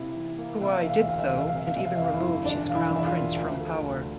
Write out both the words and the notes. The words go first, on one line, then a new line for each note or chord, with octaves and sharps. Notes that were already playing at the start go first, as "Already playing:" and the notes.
Kuai did so and even removed his crown prince from power.
Already playing: C3 A#3 E4 E5
E3
A#3
C3 E5
F5
E1 E5
F5
E5
D2 F5
E5
E1 F5
E5
F5
C3 E5
F5
C3 E5
F5
F2 E5
F5
E4 E5
G1
E1 D4 D5
E1 F5
E4 E5
E2
E5
F4 F5
E1
D2
A3
D2